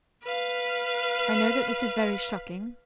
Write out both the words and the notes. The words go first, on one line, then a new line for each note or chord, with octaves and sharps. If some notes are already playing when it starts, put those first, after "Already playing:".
I know that this is very shocking.
B4 F5